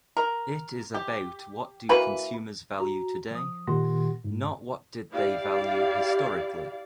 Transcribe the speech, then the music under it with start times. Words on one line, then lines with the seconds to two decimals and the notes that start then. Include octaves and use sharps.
It is about what do consumers value today, not what did they value historically.
0.17 A#4
0.94 G4
1.89 E3 A#3 F#4 B4
2.80 F#4 A#5
3.31 F3 D#6
3.67 A#2 D#3 G4 F#5 C6 A#6
4.24 G#2
5.12 E4 G4 D5 F5